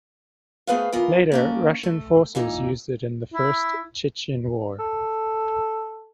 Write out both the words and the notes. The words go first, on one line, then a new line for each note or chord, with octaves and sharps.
Later, Russian forces used it in the First Chechen War.
A3 B3 G#4 B4 C5 F5
E3 B3 F4 A#4
A#3 C#4 D4
A3
A#2 E3 D#4
E4
A4